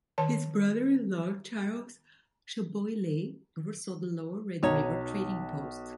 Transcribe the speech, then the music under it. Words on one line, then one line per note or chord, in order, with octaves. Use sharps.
His brother-in-law, Charles Chaboillez, oversaw the Lower Red River trading post.
D#3 C#5 A5
B1 D#4 C#5